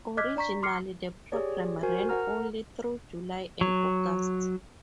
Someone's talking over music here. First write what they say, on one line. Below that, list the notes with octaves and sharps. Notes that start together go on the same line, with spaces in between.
Originally, the programme ran only through July and August.
D#5 D6 F6 F#6 G#6 B6
D4 D5 A#5 C#6 B6
C6 D6 F6 C7 C#7
G4 G#4 C#5 D5
F#4 A#4 C5 G#5
A#4 F#5 A#5 F6
F#3